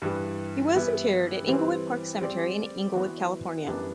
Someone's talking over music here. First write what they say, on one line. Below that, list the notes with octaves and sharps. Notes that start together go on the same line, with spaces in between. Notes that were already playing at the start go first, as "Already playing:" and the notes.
He was interred at Inglewood Park Cemetery in Inglewood, California.
G2 E3 G3
E3 G3 B3 E4
E3 G3 C4
G3 C4 G4 D5
E3 B3 F#4 C5
F#2 E3 G3 B3 D4